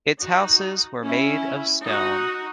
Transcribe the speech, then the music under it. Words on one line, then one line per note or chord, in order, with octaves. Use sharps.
Its houses were made of stone.
D#4 F#4
C#4 E4
D#4 F#4